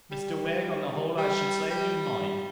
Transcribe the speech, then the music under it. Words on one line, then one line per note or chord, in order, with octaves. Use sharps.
'Mr Wegg, on the whole I should say he might.'
G3
G3
G3